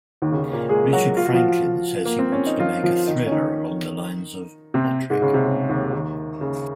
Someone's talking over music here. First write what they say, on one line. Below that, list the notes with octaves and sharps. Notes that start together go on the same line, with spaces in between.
Richard Franklin says he wanted to make a thriller along the lines of "Patrick".
D#2 D#3
C#3
D#2 D#3
A#2 A#3
G#3 G#4
F#3 F#4
F4
F#4
F3 F4
A#3
C4
C#4
D#4
F3 F4
F3 F4
D#3 D#4
C#4
D#3 D#4
C3 C4
G#2 G#3
C#3
C3
C#3
D#2 D#3
D#2 D#3
C#3